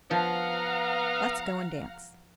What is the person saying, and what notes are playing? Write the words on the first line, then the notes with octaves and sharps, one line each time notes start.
Let's go and dance.
F3 B3 F5 F#5 A#5